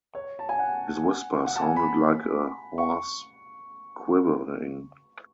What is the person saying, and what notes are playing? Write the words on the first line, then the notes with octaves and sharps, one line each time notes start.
His whisper sounded like a hoarse quivering.
C#5
A5
G#5
F#5
F#5
A5
G#5
B5
C#6